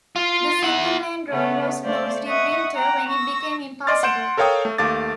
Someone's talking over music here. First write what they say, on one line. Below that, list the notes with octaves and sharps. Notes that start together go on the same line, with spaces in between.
The single-lane road was closed in winter when it became impassable.
F4
E4 F#5
C#3 A3 B3
A3 C5 D5 F5
D#5 E5 F#5 C#6 D#6
F#5 G5 A#5
C#6 E6 A#6
D5 D#5 C6 D6 F6 A6
F#5 C6 G6 D7 E7
A4 A#4 C#5 F5 G5 D#6
A3
D#2 A3 F5 D6 A6